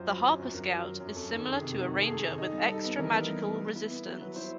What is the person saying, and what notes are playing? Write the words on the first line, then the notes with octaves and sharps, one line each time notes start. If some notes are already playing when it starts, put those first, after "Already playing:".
The Harper Scout is similar to a Ranger with extra magical resistance.
Already playing: F#2 F4 C5
F#3
F#2
F#2
F#2 A#4
F#3
F#3
F#2
F2 A4
D#3 A4
F2 G#4
C3
D#3
C3
G#4
D#3 A4
D#3
D#4
G3
D#4 A4
B3 A4
E3 A#4
B3
G3
B3
B3 B4
E4
B3
F#3
F#3 B4
E4 C5